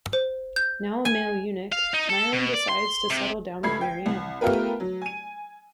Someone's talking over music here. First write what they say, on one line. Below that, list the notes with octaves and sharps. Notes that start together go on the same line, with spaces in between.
Now a male eunuch, Myron decides to settle down with Mary-Ann.
C5
G6
G#5
F5
D#4
A4
B2
D5
C6
C3
C#2 A3 B5 G#6 C7
G5
C2
A3 B3 F4 G4 A#4 B4
F#3
G#5 D#7